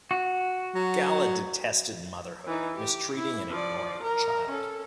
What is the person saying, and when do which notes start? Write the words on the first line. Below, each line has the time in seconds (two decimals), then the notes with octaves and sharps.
Gala detested motherhood, mistreating and ignoring her child.
0.11 F#4
0.75 F#3
2.47 E3 D#4
2.76 G4
3.16 E4
3.50 F3 D5
4.03 A#4 A#5
4.50 C#4 A4